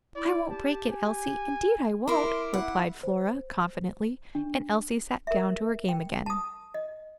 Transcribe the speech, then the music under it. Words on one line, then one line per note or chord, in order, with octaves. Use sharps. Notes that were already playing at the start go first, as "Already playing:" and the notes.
"I won't break it, Elsie, indeed I won't," replied Flora, confidently; and Elsie sat down to her game again.
E4 D5
G4 A5
G#5
E4 A#4 C6 D6
E4 F#5
C5
D4
A#4 E5
G5
A5 D#6
D#5